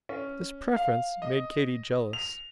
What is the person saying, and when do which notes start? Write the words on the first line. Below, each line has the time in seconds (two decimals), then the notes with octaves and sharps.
This preference made Katy jealous.
0.09 C#4
0.76 F5
1.22 D#5
2.13 F7